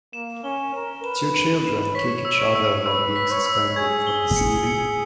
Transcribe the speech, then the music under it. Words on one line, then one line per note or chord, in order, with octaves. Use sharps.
Two children kick each other while being suspended from the ceiling.
A#3 E7
C#4 G7
A#4 E7
B4 E7
E7
B4
E7
C#5 B6
E6
C#5
E6
B4 E6
B6
C#5
E6
G#4 G#6
G7
C#7
C#7